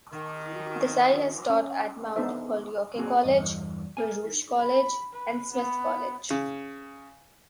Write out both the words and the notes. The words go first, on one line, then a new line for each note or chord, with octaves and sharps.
Desai has taught at Mount Holyoke College, Baruch College and Smith College.
D#3
C#4
B3 D4 D#4 A4 C5 E5
A#3 C4 F#4 G#4
E2 G2 D#5
A#4 G#5
B5
B4
B3
C#3